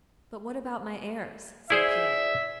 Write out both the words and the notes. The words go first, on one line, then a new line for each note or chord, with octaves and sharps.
"But what about my heirs?" said Pierre.
E4 G#4 C5 D5 E5